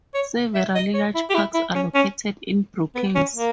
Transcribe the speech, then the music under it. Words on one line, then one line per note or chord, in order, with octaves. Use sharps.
Several large parks are located in Brookings.
C#5
E5
D#5
C#5
E4
G4
E4
E4
C#4
C#4
B3
C#4
A#3